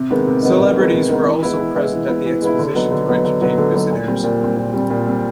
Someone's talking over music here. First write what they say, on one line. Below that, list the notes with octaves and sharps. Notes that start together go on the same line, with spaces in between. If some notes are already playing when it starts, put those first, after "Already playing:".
Celebrities were also present at the exposition to entertain visitors.
Already playing: C3
D#3 G#3 B3
C3
D#3 G#3 B3
C3
D#3 G#3 B3
C3
D#3 G#3 B3
E3
G#3 B3 E4
E3
G#3 B3 E4
E3
G#3 B3 E4
E3
G#3 B3 E4
D3
F#3 B3 D#4
D3
F#3 B3 D#4
D3
F#3 B3 D#4
D3
F#3 B3 D#4
A#2
G3 C4
A#2
G3 C4
A#2
G3 C4
A#2
G3 C4